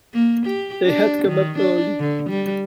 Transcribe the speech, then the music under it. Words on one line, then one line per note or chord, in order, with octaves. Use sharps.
They had come up early.
A#3
G4
D4
D#3
D4
D3
G3